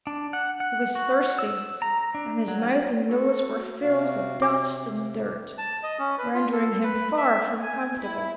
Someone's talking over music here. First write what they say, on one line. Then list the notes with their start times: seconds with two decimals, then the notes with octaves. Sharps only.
He was thirsty and his mouth and nose were filled with dust and dirt, rendering him far from comfortable.
0.07 D4
0.33 F#5
0.60 F#5
0.95 F#4
1.39 E6
1.82 A#5
2.15 D4
2.48 F#3
3.09 F#4 A4
3.81 C3 F#4 F5
4.42 C3 D6
5.58 A5
5.83 D#5
5.99 C#4
6.18 B4
6.34 F4
6.52 A4
6.84 B4
7.17 E5
7.62 G#5
8.01 E4